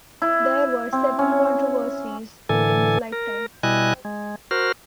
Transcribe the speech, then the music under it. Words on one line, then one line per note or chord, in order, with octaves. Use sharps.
There were several controversies during his lifetime.
E4
C4
C#4
A2 D3 E3 A4 G#5
A#4
B2 G3 E4 D#5 G#5 F#6
G#3
F#4 A#4 C5 F6